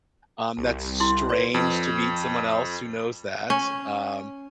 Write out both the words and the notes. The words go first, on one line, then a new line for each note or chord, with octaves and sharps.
um, that's strange to meet someone else who knows that, um,
C2
E4 C6
B4 C#5 D5
F2
C#4